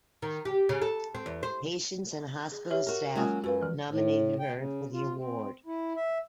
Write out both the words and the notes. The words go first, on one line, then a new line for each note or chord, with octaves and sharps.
Patients and hospital staff nominated her for the award.
D#3
G4
C#3
A4
C4
E2
C5
G#4
G4 C#5 E5
F#4 A#4
F#3 G#3 A#3 C#4 F4 D#6
F#2 F#4 B4 F5
E3 F3
A2
G5
C#3
F4
C4
E4
E5